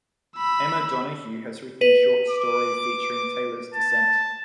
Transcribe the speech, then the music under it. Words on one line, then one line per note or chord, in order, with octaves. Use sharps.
Emma Donoghue has written a short story featuring Taylor's descent.
B5 E6
B4 D#7
D6
A5